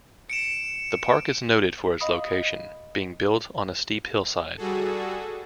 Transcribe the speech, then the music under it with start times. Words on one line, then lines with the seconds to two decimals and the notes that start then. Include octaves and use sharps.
The park is noted for its location - being built on a steep hillside.
0.30 C#7 D7 E7
2.01 D#5 F5 B5 D#6
4.57 G3 F#4 G#4 A4